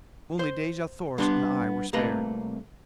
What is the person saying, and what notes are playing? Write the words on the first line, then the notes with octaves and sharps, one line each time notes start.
Only Dejah Thoris and I were spared.
C5
G3 B3 D4 C6
C2 C3 A3 A#3 B4 D#5